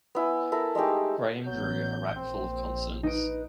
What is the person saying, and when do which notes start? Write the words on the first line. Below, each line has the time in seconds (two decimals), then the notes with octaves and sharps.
Graham drew a rack full of consonants.
0.15 B3 E4 G#5
0.52 E4 A4 A#4
0.75 G#3 A3 D#4 G4
1.46 A1 F#3 B3 G6
2.16 A#1 C4 C5
3.03 D#4 B4 D7